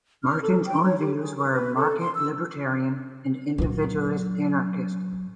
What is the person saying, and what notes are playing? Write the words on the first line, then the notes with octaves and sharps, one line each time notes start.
Martin's own views were market-libertarian and individualist anarchist.
F6
A4
G5
C#5
G4
G#4
A#4
B4
A4
C6
E6
A#2 F#3